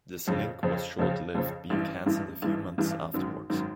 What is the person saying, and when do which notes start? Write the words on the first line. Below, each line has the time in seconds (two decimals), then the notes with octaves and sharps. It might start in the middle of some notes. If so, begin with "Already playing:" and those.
This link was short-lived, being cancelled a few months afterwards.
0.28 F2 C#3 F3
0.63 F2 C#3 F3
0.99 F2 C#3 F3
1.35 F2 C#3 F3
1.70 A1 G2 E3
2.06 A1 G2 E3
2.42 A1 G2 E3
2.78 A1 G2 E3
3.14 G#1 F#2 D#3
3.50 G#1 F#2 D#3